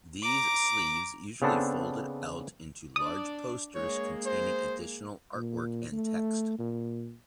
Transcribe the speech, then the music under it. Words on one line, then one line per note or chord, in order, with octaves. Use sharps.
These sleeves usually folded out into large posters containing additional artwork and text.
A#5 D6
C#3 B3 C4 D4 A4
D4 D5 D#6
G#3 A#3 C#5
C5
A#2
A3
A#2